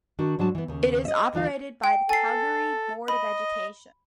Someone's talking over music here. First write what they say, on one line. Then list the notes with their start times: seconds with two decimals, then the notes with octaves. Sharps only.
It is operated by the Calgary Board of Education.
0.19 D#3 D4 F#4
0.39 G#2 F#3 D4 F#4 A5
0.55 E3 B3
0.68 D#2 C#3
1.05 D#5 E5
1.33 D2 E3 F4 F5
1.84 G5
2.09 A4 G#5 C7
3.08 D#5 B5